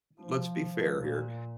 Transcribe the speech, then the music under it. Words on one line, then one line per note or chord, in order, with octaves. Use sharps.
let's be fair here,
F3
A#2